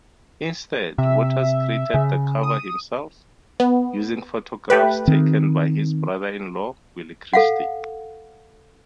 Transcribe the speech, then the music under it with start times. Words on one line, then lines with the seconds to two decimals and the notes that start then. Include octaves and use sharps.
Instead, Waters created the cover himself, using photographs taken by his brother-in-law, Willie Christie.
0.98 C3 E5
1.94 C#3
2.43 D#6
3.60 B3
4.70 A3 G4 B4
5.08 D#3 C4
7.33 A4 F5 F#5